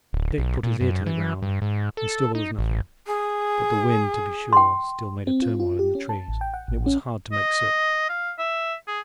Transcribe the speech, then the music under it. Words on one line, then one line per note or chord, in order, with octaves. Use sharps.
Dick put his ear to the ground, and still there was nothing; but the wind, to be sure, still made a turmoil in the trees, and it was hard to make certain.
D1
B1
A#2
F#2
E3
G2
G#2
A4
D#4
A1
G#4
G5 C6
C4
F4
F4
G4
C#4
A5
A1
G5
F#5
A1
C#4
D#5
F5
E5
G#4